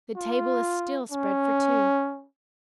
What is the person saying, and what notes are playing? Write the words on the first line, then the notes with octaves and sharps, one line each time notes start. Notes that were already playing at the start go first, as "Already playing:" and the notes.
The table is still spread for two.
F4
C#4